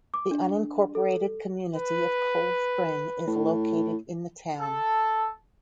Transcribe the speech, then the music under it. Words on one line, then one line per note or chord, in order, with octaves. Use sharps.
The unincorporated community of Cold Spring is located in the town.
D6
D4
A4
B4
A2
A4